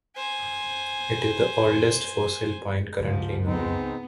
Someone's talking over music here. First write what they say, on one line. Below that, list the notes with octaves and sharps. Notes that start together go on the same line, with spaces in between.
It is the oldest fossil pine currently known.
C5 G#5
C#2 G#2 F3
G#3 B3 C4 D#4